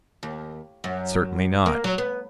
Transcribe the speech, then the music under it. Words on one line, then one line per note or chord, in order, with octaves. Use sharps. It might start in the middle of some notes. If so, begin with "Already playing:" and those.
Certainly not.
D#2
F#2
A#3
F#3
B3